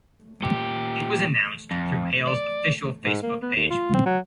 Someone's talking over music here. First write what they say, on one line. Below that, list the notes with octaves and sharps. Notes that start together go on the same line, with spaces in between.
It was announced through Hale's official Facebook page.
A#2 G4
F2
D5
G#2
A#3
B3
D#2
F4
C4
F#3